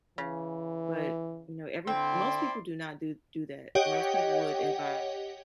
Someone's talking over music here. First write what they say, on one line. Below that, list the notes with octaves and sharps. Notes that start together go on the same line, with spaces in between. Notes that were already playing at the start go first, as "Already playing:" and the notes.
but, you know, every most people do not do do that. Most people would if I
C#3 E3
D3 C4 E4 D5 G5 C6
G4 C#5 D#5 F#5 G5